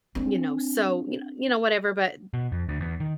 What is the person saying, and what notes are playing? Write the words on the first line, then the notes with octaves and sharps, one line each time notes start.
you know, so, you kno you know, whatever, but
C4 D4
B2
F2
D2
E2
D#3